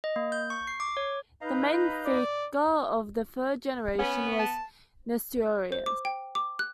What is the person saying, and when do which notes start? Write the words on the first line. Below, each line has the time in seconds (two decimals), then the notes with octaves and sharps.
The main figure of the third generation was Nestorius.
0.04 D#5
0.16 A#3
0.32 G6
0.50 C#6
0.67 C7
0.80 D6
0.97 C#5
1.41 D#4 B4 D#5 F5 A#5 G6
2.06 D5
3.99 B3 C#4
4.39 A5
5.72 C5
5.86 D6
6.05 G5
6.35 D6
6.59 F#6